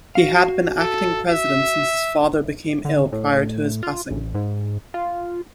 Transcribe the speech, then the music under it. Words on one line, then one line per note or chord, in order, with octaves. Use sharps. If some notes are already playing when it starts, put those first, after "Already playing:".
He had been acting president since his father became ill prior to his passing.
F#4 F5
A4
E5
D3
A2
F4
A1
G#2
F4